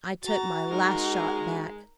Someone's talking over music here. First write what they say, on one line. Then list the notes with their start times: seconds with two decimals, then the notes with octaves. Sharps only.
I took my "Last Shot" back.
0.23 F#4 A#5 A6
0.70 G#3 D#4 A#4